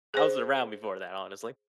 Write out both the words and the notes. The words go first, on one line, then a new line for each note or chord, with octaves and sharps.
I was around before that, honestly,
G#4 C5